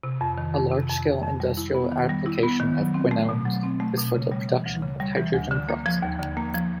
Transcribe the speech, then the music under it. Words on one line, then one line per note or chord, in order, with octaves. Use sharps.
A large scale industrial application of quinones is for the production of hydrogen peroxide.
C3
F2
D#3
F2
C3
F2
D#3
F2
G3
E4
B3
D#3
G3
E4
B3
D#3
F#3
C4
A3
B2
F#3
C4
A3
B2
C#3
G3
E3
D2
C#3
G3
E3
D2
D3
A#3
F3
D#2
D3
A#3
F3